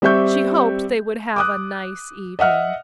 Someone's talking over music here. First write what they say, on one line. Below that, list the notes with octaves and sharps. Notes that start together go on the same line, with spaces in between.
She hoped they would have a nice evening.
G3 C4 G4 E5 C#6 G6
D6 D#6 F#6
D#5 E5 F#5 F6